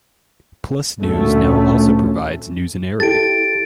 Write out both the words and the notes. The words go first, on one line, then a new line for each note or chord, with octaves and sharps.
PlusNews now also provides news in Arabic.
D2 A#2 A3 C#4
E4 G4 A4 A6 D7